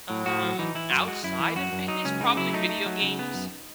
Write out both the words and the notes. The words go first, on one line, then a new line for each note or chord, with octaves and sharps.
Um, outside of fitness, probably video games.
A2
A2 F#4
F#3
E3 D#4
E3 E4
F#2 F#4
G#3 F#4
F#2 E4
E3
F#2 F#4
F#2
F#3 D#4
C#2 C#4
C#3 D#4
F#3 E4
A3 D#4
A3
F#3
C#3
B3
F#2